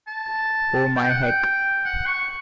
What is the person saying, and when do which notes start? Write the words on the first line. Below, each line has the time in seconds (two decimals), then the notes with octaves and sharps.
Oh my Heck!
0.08 A5
0.96 G5
1.10 F#5
1.22 G5
1.85 F#5
2.06 C#6